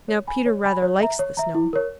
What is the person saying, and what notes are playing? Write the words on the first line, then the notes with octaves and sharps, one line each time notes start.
Now Peter rather likes the snow.
C#5
G#5 B5
C#5
G#5 B5
C#5
E5 A#5
C#5
E5 A#5
E4
A#4 C#5